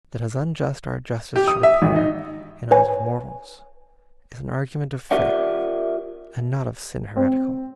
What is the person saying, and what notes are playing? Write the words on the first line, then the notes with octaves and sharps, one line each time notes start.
That as unjust our justice should appear In eyes of mortals, is an argument Of faith, and not of sin heretical.
G4
D#6
E5
G#1
D#4
B4 C#5 G#5
F4 G4 A#4 D5 E5 F#5
C4